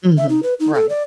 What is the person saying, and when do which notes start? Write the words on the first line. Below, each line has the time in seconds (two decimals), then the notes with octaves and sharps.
Mhm, right.
0.18 E5
0.29 D#4
0.43 B4
0.60 D#4
0.74 A4
0.89 D5